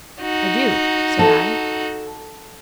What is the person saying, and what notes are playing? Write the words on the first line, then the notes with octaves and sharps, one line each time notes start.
"I do," said I.
D#4 F#4
A4